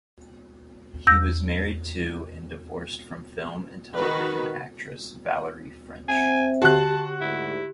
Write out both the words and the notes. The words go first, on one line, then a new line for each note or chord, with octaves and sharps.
He was married to and divorced from film and television actress Valerie French.
E2 E6 G6 A#6
D#3 F#4 B4
C4 E5 G#5
D3 F#4 G4 A5 F#6
D2 G#2 E4